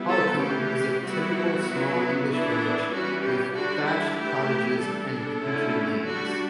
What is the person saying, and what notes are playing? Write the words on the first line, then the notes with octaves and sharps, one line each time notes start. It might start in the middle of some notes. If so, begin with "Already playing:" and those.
Holcombe is a typical small English village, with thatched cottages and country lanes.
Already playing: G3 B3 E4
A4
E3 A3 C#4 G4
G3 B3 E4 F#4
F#3 B3 E4
E3 B3 D4 E4
E3 G3 C#4 F#4
G4
D3 G3 D4 F#4
E4
E3 A3 E4 G4
G3 D4 A4
D3 A3 C#4 E4
G3 D4 F#4